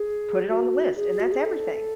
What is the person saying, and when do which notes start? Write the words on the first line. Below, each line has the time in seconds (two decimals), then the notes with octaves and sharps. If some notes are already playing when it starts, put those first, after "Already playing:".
put it on the list, and that's everything.
Already playing: G#4
0.49 F#4
0.96 G#4
1.20 F#4
1.32 G#4
1.45 A4